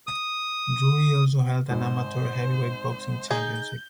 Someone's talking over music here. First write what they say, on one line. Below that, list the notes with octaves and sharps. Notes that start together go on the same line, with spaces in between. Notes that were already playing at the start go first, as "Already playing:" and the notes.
Drury also held an amateur heavyweight boxing championship.
D#6
G#1 C5
D#4 G#4 G6